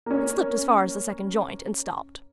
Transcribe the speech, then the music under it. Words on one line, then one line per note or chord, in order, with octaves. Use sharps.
It slipped as far as the second joint and stopped.
A#3 C#4